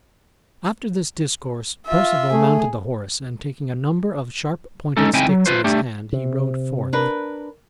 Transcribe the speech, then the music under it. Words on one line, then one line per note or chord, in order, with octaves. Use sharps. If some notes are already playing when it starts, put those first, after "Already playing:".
After this discourse Perceval mounted the horse and taking a number of sharp-pointed sticks in his hand he rode forth.
F4 E5
A3 G#4
G#3 C#4 D#4 A4
C#2 C4 D#4 E4 G5 G#5
F#3
F4 B4 C5
A3 D4 G4
C3
D4 A#4 B4